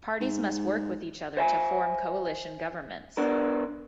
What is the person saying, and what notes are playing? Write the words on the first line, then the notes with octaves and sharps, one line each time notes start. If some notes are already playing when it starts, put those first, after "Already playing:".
Parties must work with each other to form coalition governments.
G#2
C5 E5 G#5
B3 D4 A#4